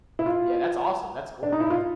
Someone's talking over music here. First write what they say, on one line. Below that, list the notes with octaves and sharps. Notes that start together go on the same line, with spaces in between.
Yeah, that's awesome. That's cool.
E4
F4
D4
D#4
E4
F4